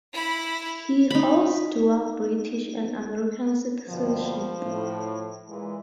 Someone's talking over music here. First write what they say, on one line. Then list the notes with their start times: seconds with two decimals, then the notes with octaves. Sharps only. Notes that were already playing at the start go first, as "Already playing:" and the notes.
He holds dual British and American citizenship.
0.13 E4 B5
1.11 D#4 B5
3.88 G2 B2 D3 F3
4.65 A2
5.49 A#2 E3 G#3